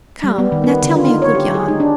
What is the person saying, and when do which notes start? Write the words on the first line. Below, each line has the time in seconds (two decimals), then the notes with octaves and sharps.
Come, now, tell me a good yarn.
0.23 G3
0.38 B3
0.52 D#3
0.64 B3
0.84 D3
0.96 F4
1.07 D#4
1.22 C#5
1.35 G4
1.55 G#4
1.68 D#4
1.80 D4